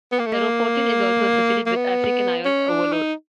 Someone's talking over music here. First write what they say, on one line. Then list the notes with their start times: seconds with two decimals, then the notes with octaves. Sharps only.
Ferroportin is also associated with African iron overload.
0.12 B3
0.19 A#3
0.26 A3
0.33 A#3
1.66 A#3
1.76 B3
2.45 C#4
2.69 D4
2.92 D#4